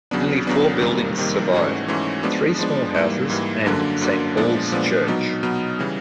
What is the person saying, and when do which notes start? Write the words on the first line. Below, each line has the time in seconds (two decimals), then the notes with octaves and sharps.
Only four buildings survived: three small houses and Saint Paul's Church.
0.11 E2 C#3 F#3 B3 D4
0.47 E2 C#3 F#3 B3 D4
0.81 F2 C3 D#3 G3 A#3
1.17 F2 C3 D#3 G3 A#3
1.53 G#2 E3 A3 C#4 F#4
1.88 G#2 E3 A3 C#4 F#4
2.23 F3 G#3 B3 D4
2.59 F3 G#3 B3 D4
2.95 G#2 E3 G3 A#3
3.30 G#2 E3 G3 A#3
3.66 F#2 D3 F#3 A#3 D4
4.01 F#2 D3 F#3 A#3 D4
4.37 A#2 F3 G#3 B3 D4
4.72 A#2 F3 G#3 B3 D4
5.07 B2 F#3 B3 D#4
5.43 B2 F#3 B3 D#4
5.79 C#3 E3 G3